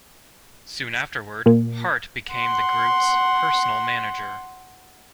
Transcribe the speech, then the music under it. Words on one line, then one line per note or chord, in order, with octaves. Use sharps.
Soon afterward, Hart became the group's personal manager.
A#2
F#5 C6